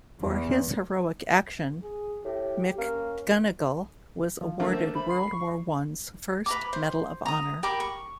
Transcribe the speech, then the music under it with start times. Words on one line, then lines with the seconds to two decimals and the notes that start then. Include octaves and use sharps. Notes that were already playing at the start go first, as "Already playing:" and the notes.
For his heroic action, McGunigal was awarded World War One's first Medal of Honor.
0.22 E2
1.83 G#4
2.24 A2 G4
2.78 A#3 C#4
4.41 F3
4.60 D3 E3 A3 A#3
4.73 C5 E5
4.95 B5
5.10 C7
5.32 C#6
6.46 B4 A#5 D6
6.73 C5
7.26 A#5 D#6
7.63 G4 A#4 B5 D6
7.80 C#6